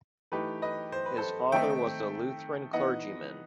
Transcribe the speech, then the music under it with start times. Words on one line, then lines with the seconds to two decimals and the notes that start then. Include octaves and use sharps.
His father was a Lutheran clergyman.
0.32 E3 A3 D#4 G4 B4
0.62 B4 D#5
0.92 C5
1.06 B4
1.17 A4 C5
1.52 D#3 A3 C4 D#4 E5 G5
2.73 E3 B3 D#4 D#5 F#5